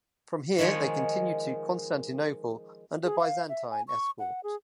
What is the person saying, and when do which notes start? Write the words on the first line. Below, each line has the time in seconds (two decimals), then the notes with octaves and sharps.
From here they continued to Constantinople under Byzantine escort.
0.58 D#3 F3 G#3 C#5 D#5
3.04 G#4
3.20 F5
3.49 E5
3.70 G#5
3.88 C#6
4.19 F#5
4.44 G#4